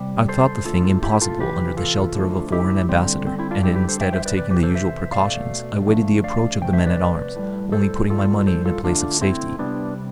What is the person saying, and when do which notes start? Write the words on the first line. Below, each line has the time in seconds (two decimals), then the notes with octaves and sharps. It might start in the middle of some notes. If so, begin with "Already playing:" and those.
I thought the thing impossible under the shelter of a foreign ambassador, and instead of taking the usual precautions, I waited the approach of the men-at-arms, only putting my money in a place of safety.
Already playing: C3 G3
0.28 A4 C5
0.65 D3 A3 F4 A4
1.03 E4 G4
1.21 F4 A4
1.40 C3 E3 G4 B4
1.77 F4 A4
2.15 D3 F3 A3
2.52 E4 G4
2.89 D3 G3 C4
3.27 C4
3.39 C4 E4
3.51 D4 F4
3.63 D3 G3 E4 G4
3.75 G4 B4
3.89 A4 C5
4.01 E5 G5
4.13 C5 E5
4.26 B4 D5
4.37 C3 E3 B4 D5
4.50 G4 B4
4.63 A4 C5
4.75 C5 E5
5.12 B2 A3 D5 F5
5.87 D3 F3 A3
6.24 D5 F5
6.61 C3 F3 A3 G5
6.73 C5 E5
6.86 B4 D5
7.36 A2 G3
7.72 A4 C5
8.09 A2 G3 F4 A4
8.47 A4 C5
8.66 F4 A4
8.84 D3 A3 D4 F4
9.21 C4 E4
9.59 C3 G3 B3 D4